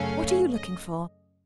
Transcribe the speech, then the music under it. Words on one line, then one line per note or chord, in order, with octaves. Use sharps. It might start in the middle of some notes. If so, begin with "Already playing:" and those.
What are you looking for?
Already playing: F#2 C#3 A3 C#4 F5
D#5